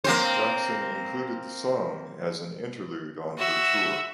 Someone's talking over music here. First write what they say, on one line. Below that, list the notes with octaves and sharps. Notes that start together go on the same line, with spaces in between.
Jackson included the song as an interlude on her tour.
A#3 C4 C5
F#4 E5